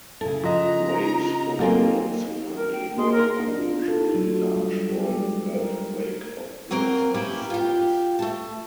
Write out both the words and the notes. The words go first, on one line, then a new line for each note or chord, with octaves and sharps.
Waves from the tsunami were unusually large for an earthquake of this size.
C#3 E4 A4
F3 F4 D#5 A#5
F#3 A#3 C4 A4 A#4 G#5
A#4
G5
A#3 G#4 D#5 C6
A#4
D4
F4
A4
F#3
G3
G4
G#3
A#4
F#3 A#3 C4 A#4
A#3 C#4 E4 G4 B4
F4 G4
A3 A5